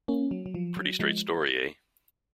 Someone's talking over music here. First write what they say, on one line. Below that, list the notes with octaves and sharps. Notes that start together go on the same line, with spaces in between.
Pretty straight story, eh?
A#3 C#4
F#3
F#3
F3
F#3
F3 G#3